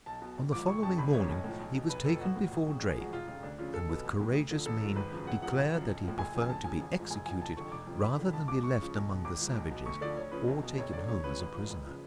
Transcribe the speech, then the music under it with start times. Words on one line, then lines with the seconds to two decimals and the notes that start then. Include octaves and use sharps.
On the following morning he was taken before Drake and with courageous mien declared that he preferred to be executed rather than be left among the savages or taken home as a prisoner.
0.06 B1 A5
0.22 B2
0.38 G#1
0.52 G#2 F3 D6
0.67 F#1 C#6
0.83 F2 C#3 A5
0.98 G#1 B5
1.13 F#2 C#3 C#5
1.29 B1
1.44 A2 F3
1.59 B1
1.75 B2
1.90 F1 B4
2.05 F2 F3 A4
2.21 A1 F#4
2.36 A2 F3
2.52 F#1
2.67 F2 C#3
2.82 A1
2.89 G#4
2.97 G#2 F3 F#4
3.13 F1 F4
3.28 F2 C#3 F3 F4
3.43 D2 D4
3.59 C#3 F3 F4
3.74 B1 A4
3.89 B2 B4
4.05 A1
4.20 A2 F3
4.35 D2
4.51 D3 F3
4.66 A1 A4
4.81 G#2 F3
4.96 G#1 B4
5.11 F#2 C#3 F3
5.27 F#1 F#5
5.42 F#2 C#3 F3 F#5
5.57 F#1
5.73 F#2 F3
5.88 B1
6.03 A2 F3
6.19 F#1 G#5
6.34 F2 C#3 F3
6.42 G#5
6.49 D2 A5
6.64 C#3 F3 G#5
6.80 A1
6.95 G#2 F3
7.10 F#1 G#5
7.26 F2 F3 G#5
7.41 F1 A5
7.56 F2 D3 F3 C#6
7.72 F1 D6
7.87 F2 C#3 F3
8.02 F1 B5
8.17 F2 D3 F3
8.33 C#2 A5
8.48 B2 D6
8.63 C#2 C#6
8.79 C#3 F3
8.94 B1
9.10 B2
9.25 G#1 D6
9.40 G#2 F3
9.55 B1
9.71 B2
9.86 D2 C#6
10.01 D3 F3 D5
10.17 D2 C#5
10.32 C#3 F3 B4
10.47 B1
10.63 B2
10.78 F#1 C#5
10.93 F#2 D3 D5
11.08 D2 C#5
11.24 C#3 F3 B4
11.39 A1
11.55 G#2 F3
11.70 F#1
11.85 C#3 F3